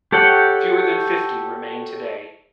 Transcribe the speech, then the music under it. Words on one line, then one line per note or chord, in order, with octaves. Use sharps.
Fewer than fifty remain today.
G4 A4 C#5 F#5 G5